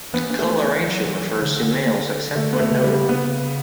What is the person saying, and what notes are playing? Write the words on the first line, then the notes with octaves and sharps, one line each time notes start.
Colouration refers to males except when noted.
E3 B3
B3
A3
F#3
E3
D3
D3
D3 A3
B3
A3
C#3
G3
C#3 B3